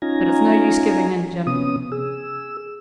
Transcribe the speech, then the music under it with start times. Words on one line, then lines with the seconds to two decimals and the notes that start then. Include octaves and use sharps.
But it's no use giving in, Jim.
0.02 C#4 D#4 F4 G#5 A#5
1.47 C3 B3 C#4 D#6
1.92 G#4 E6